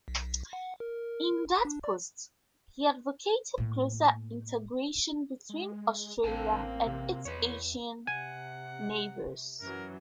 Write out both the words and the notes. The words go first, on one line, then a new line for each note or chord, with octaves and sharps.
In that post, he advocated closer integration between Australia and its Asian neighbours.
B1
F#5
A#4
D4
D5
A2 A#3
G#3
A1 D3 A#3 C4 G5 A5
C3
E2 B4 C#5
C3 F#5 G#5
F#2 E3 F#3 A#4